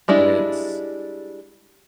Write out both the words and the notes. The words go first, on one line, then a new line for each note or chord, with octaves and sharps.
And it's
G3 G#3 D4 E4